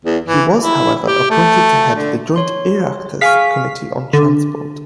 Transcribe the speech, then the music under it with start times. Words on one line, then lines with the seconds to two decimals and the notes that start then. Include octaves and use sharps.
He was, however, appointed to head the joint Oireachtas committee on Transport.
0.05 E2
0.24 E3
0.60 E4
1.06 G4
1.30 A3
1.95 D3
2.36 C#5 C6
3.21 G#4 F5 G#5 C#6 B6
4.13 D3